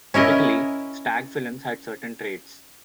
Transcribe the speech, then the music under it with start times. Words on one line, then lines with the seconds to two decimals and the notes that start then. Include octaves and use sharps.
Typically, stag films had certain traits.
0.14 C#4 E4 A#4 D#5